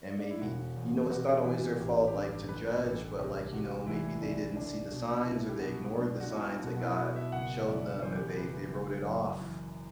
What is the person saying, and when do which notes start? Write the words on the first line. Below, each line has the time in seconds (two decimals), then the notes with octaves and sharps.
and maybe you know, it's not always their fault, like, to judge, but, like, you know, maybe they didn't see the signs, or they ignored the signs that God showed them, or they they wrote it off
0.19 D4
0.31 E4
0.41 E1 F#4
0.76 E2
1.10 C3 F#4
1.45 E3
1.79 A1 G4
2.07 G4
2.14 G2 A4
2.49 D3 B4
2.84 A1 A4
3.19 C2 G4
3.53 C3 F#4
3.87 E3 E4
4.21 C2 D4
4.56 C2 D4
4.91 B2
5.25 C2 E4
5.49 G4
5.59 B2 F#4
5.94 B1 D4
6.20 F#4
6.29 B2 E4
6.64 B1 F#4
6.77 F#4
6.81 E4
6.98 B2 F#4
7.16 E5
7.32 F#1 F#5
7.58 E5
7.67 F#2 D5
8.02 E3 C5
8.15 G4
8.26 A4
8.36 F#1 B4
8.71 F#1
9.06 F#2
9.41 E3